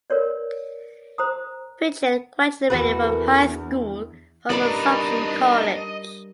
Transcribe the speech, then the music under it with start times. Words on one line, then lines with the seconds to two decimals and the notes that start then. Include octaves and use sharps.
Pichet graduated from high school from Assumption College.
0.10 A#4 B4 C#5 D5
1.18 C5 A#5 D#6
2.70 E2 E3 F#4 B4
3.03 A4 A#4
3.39 D4
4.50 G2 D4 D#4 A#4 B4 D5 D#5 B5